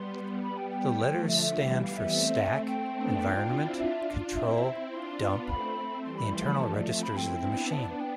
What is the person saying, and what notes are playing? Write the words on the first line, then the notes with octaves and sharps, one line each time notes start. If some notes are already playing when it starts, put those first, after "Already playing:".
The letters stand for Stack, Environment, Control, Dump, the internal registers of the machine.
Already playing: G3 B3 C6
G3 B3
B5
G5
G5
F3 A3
D3 F3 E5
E5
E3 G3
G3 B3 F5
E5
A3 C4
A3 C4 G5
B3 D4
D4 F4
C4 E4
D4 F4 E5
D4 F4
C4 E4 E5
C4 E4
D4 F4 C6
B3 D4
A3 C4 B5
A3 C4
E3 G3 C6
B5
F3 A3 C6
B5
A5
D5
A3 C4 E5
B5
C4 E4 G5
B3 D4
G5
B3 D4 A5
G5